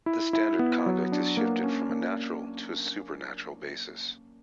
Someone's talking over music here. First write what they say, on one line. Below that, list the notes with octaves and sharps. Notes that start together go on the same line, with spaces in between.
The standard conduct is shifted from a natural to a supernatural basis.
E4
E4
B3
F#3
D4
A#3
C#4
A#3